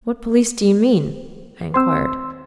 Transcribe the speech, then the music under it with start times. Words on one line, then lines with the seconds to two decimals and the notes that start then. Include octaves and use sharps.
"What police do you mean?" I inquired.
1.74 C4 C5 C6 E6